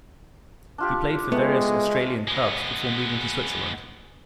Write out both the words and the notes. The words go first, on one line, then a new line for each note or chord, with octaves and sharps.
He played for various Australian clubs before moving to Switzerland.
D4 F4 G4
G#3 A3 B3
G#3 B3